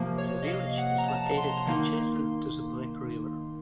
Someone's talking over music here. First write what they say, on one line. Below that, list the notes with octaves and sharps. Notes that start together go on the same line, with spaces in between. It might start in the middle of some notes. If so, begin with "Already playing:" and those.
The village is located adjacent to the Black River.
Already playing: C3 F3 A#3
C#5
D#5
F5
F#5
A#5
A5
C6
A#5
C6
D#3 A#3 D#4